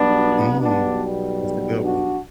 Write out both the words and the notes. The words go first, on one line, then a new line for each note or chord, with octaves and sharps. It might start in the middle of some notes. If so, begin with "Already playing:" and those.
Mm. That's a good one.
Already playing: B1 B2 G3 B3 D4
B1 B2 G3 B3 D4
D4 F#4